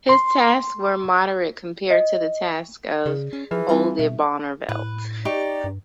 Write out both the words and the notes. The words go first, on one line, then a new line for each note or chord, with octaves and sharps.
His tasks were moderate compared to the tasks of Oldebarnevelt.
C6
D#5
C#3 G#4 D5
C#4
E3 F3 G#4
G3 C4 D#4 F4
B2 E5
A2 B4
D#4 G4 D5 C#6
G2